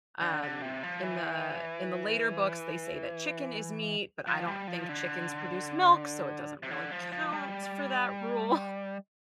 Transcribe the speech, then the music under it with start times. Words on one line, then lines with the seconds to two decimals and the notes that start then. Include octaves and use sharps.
um, in the in the later books they say that chicken is meat, but I don't think chickens produce milk, so it doesn't really count for that rule.
0.21 D3
0.43 D3
0.62 C3
0.83 F3
1.03 E3
4.27 F3
4.47 G3
4.68 F3
4.89 D3
6.63 C3
6.71 D3
6.91 F3
7.12 F3
7.32 G3